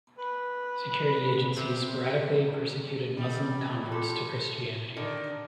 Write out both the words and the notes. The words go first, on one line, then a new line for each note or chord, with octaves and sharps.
Security agencies sporadically persecuted Muslim converts to Christianity.
B4
C3
E3 G3
F4 A4 C6 D6
D3 D#3